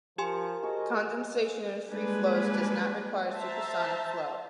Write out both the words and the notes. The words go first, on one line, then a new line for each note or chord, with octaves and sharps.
Condensation in free flows does not require supersonic flow.
F3 G4 A#4 G#5 C6
F#4 G#4 C5 D#5
G3 G#3 A#3 D4 B4 G#5
C5 E5 A5 A#5